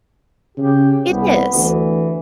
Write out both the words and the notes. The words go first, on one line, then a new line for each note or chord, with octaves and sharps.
It is.
C#3 G4
C2 B3
D2 E3